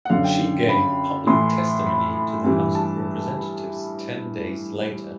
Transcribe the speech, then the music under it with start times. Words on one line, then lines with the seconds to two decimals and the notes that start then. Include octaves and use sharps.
She gave public testimony to the House of Representatives ten days later.
0.05 F#5
0.10 F#2 D3 F5
0.24 G5
0.69 B5
1.27 A2 E3 C6
1.87 B5
2.44 G2 E3
2.75 A5